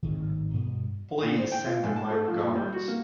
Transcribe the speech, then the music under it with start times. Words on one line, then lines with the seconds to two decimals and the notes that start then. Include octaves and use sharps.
Please send them my regards.
0.03 D1 G#1 D#3
0.54 G2 B2 B3
1.22 A#2
1.38 C5
1.52 G5
1.66 F4
1.83 G#2
1.96 A5
2.11 A3
2.28 F3
2.42 A#2
2.55 G3
2.73 F#4
2.88 A#3